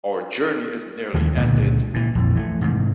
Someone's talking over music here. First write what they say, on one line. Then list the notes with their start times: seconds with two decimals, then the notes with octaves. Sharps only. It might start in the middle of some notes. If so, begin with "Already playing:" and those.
Our journey is nearly ended.
1.14 D#2 E3 F3 G#3
1.37 C#2 A#2 D3
1.94 A#2 E3
2.15 A#1 F2
2.35 E3 G3 A3
2.61 G#2 C3